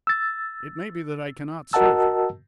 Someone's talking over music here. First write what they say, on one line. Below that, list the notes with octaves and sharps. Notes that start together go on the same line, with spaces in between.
It may be that I can not serve you.
E6 A6
F#4 A#4 D#5 F#5 A5 E6